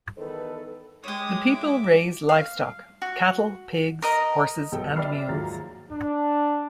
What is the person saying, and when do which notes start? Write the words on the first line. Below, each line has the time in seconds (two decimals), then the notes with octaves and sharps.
The people raise livestock: cattle, pigs, horses and mules.
0.17 E2 D#3 A4 B4
1.04 G#3 G4 C#5 D#6
1.47 E5 D6
2.29 F5
3.02 F#4
4.02 A#4 D#5 A#5
4.72 B1 B2 G3 B3 A4 G5
4.96 D5 E5 G5 B5 F6 C7
5.28 D#2 G#2 F3 F#3 A#5 A6
5.90 D4